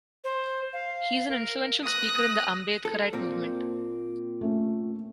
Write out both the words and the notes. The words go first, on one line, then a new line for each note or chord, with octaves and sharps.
He is an influential speaker in the Ambedkarite movement.
C5
F5
A#4
D#6 F#6 A#6
A4
A#2 A#3 C4
A3 C#4